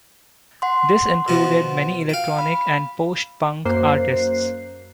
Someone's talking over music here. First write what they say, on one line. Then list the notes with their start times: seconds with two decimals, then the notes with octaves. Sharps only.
This included many electronic and post-punk artists.
0.62 F#5 C6
1.28 B2 F3
2.09 F5 G5
2.39 B5
3.65 F#2 A#3 C5 F#6 C7